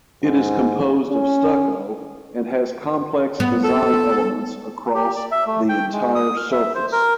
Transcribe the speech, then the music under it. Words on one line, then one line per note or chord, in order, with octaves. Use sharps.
It is composed of stucco and has complex design elements across the entire surface.
G#2
C#4
B3
A4
G4
D5
E5
A3
G5
G#3
D#6
F6
E5
C5
A#4